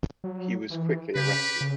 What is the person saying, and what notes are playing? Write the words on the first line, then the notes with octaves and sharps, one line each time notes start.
He was quickly arrested.
F#3
E3
C#3 G4 B4
C#3